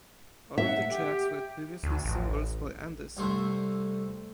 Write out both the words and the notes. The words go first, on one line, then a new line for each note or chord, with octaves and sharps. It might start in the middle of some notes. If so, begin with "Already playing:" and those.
All of the tracks were previously singles for Anderson.
E5 F#5
G4
D2
A1
C2 G3 A3 C5 E5